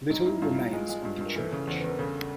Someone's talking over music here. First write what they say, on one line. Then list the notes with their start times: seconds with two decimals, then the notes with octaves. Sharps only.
Little remains of the church.
0.10 G2 D#4
0.26 G2 E4
0.42 G2 F4
0.58 G2
0.73 G#3 F4
0.89 G#3
1.05 G2
1.20 G2
1.26 A#4
1.36 E3 A4
1.52 C#3
1.67 E2 C5
1.79 E2 B4
1.90 A#4
1.99 C#3 A4